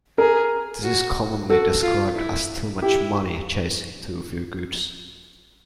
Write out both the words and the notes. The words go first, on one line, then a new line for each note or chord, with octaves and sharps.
This is commonly described as "too much money chasing too few goods".
G#4 A#4
F#4
F#4 A4
F4
E4
E4 G4